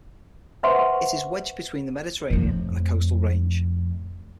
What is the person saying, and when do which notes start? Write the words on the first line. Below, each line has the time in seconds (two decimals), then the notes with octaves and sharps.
It is wedged between the Mediterranean and the coastal range.
0.63 B4 C5 E5 F#5 C6 C#6
2.30 F2 A2